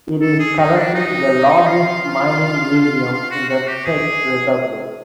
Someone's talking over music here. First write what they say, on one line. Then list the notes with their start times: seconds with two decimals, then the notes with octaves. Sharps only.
It is currently the largest mining museum in the Czech Republic.
0.21 A4
0.39 G#4
0.58 D#4
0.76 D4
0.94 D#4
1.67 F4
3.13 F4
3.31 F#4
3.50 F#4
3.67 G4
3.86 G#4